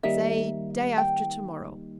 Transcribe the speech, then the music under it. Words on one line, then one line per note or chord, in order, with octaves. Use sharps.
"Say day after to-morrow."
D#3 G3 A#3 D#4 E5
G5